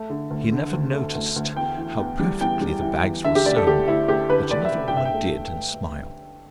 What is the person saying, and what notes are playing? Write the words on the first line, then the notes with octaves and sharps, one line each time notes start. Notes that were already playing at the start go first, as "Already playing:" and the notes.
He never noticed how perfectly the bags were sewn, but another woman did, and smiled--once.
Already playing: A3
D3
D2
D3
D2
A3
D2
D2
E2 G5
E3
E2
G3
E2 G5
G3
E3
E2
D3 E5
G4
D2 D5
A4
D2 G4
D2 E4
D2 G4
D3 B4
D2 D5
E5
D2
G5
G2 E5
G5
A3